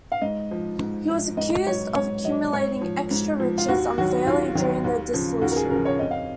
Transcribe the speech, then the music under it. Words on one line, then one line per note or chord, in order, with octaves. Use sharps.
He was accused of accumulating extra riches unfairly during the dissolution.
F5
G#2 D#5
F3
G#2
F3
G#2 D#5
F#3 C#5
G#2 C#5
F#3 D#5
G#2 C#5
F3
G#2
F3
F4
D#2 F#4
D#3 F#3 F#4
D#2 F4
D#3 F#3
D#2
C#3 F3
D#2 F#4
A#4
G#4
C#3 F3 A#4
C#5
F2 D#5
F5